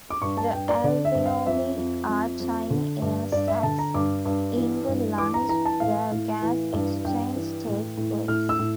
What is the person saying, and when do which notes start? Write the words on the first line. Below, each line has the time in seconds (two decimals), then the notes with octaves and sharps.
The alveoli are tiny air sacs in the lungs where gas exchange takes place.
0.10 D6
0.22 G2 C#6
0.37 A5
0.53 G2 G5
0.69 D5
0.84 D3 D5
1.05 E5
1.15 G2
1.26 F5
1.46 F2 E5
1.77 F2
2.08 F2
2.40 F2
2.70 D3
3.02 G2
3.32 G2 D5
3.48 E5
3.63 D3 A5
3.79 A#5
3.94 G2 D6
4.26 G2
4.56 E3
4.88 G2
5.18 E3 D6
5.34 A#5
5.49 E3 A#5
5.65 A5
5.80 A2 F5
6.11 A2
6.42 E3
6.73 G2
7.05 G2 G5
7.35 E3
7.67 A2
7.97 A2
8.28 A2 F6
8.49 E6
8.59 A2